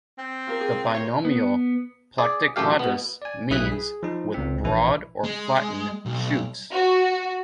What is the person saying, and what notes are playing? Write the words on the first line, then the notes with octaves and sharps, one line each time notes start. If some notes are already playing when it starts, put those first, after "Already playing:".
The binomial "Platycladus" means "with broad or flattened shoots".
C4 G6
F4 G4 A#4
G#4
A#4 C5 C#5
B3
G#4 D5
A1 F#2 A3 G4 F5
B2 B3
D5 G#5
B1 E4 D#6 F#6 B6
G#4
F3 D#4
C#2 C4
A#1 E3 E4
G#3
B1
F#4